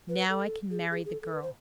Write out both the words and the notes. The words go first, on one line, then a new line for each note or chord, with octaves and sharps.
"Now I can marry the girl."
B4
A4
G#4
G#4
G#4
A4
A4
B4
C5